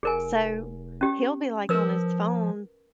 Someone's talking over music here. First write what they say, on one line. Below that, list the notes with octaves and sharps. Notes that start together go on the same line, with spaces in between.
So, he'll be, like, on his phone
F1 G#4 A#4 G#5
C#4 G4
F3 A#4 B4 E6